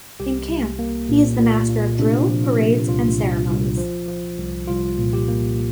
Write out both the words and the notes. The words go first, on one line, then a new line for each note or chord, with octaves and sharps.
In camp, he is the master of drill, parades and ceremonies.
C2 G4
C2
A#3
A#2
A#2
A#2
C3 D4
F3
F4
C3
C2 F4
C2
C2
F3
F3
C2
C2 F4
A#2
G4
A#3